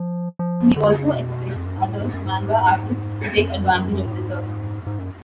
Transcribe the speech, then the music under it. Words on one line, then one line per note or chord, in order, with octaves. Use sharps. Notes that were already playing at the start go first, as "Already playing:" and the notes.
He also expects other manga artists to take advantage of the service.
Already playing: F3
F3
D3
C#3
B2
F2
F#2
G#2
A2
G#2
F#2
G#2
F#2
F2
F#2
F#2
F#2
A2
G#2
G#2
F#2